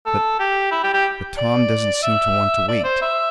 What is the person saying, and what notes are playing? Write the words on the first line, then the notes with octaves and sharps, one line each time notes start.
But--but Tom doesn't seem to want to wait.
A4
G4
E4
G4
G4
D5
E5
D5
C5
E5